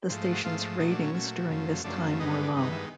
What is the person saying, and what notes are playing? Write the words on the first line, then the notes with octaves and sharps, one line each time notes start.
The station's ratings during this time were low.
G#2 F3 A3 C5
C5
F#4
G#2 F3 A3 F4
A#2 F#3 A3 D#4
D4
C#4
A#2 F#3 A3
F#2 C#3 F3 A3
F#2 C#3 F3 A3 D4
G2 D#3 G#3 B3 D#4
C#4
D4
G2 D#3 G#3 B3
D#4
E4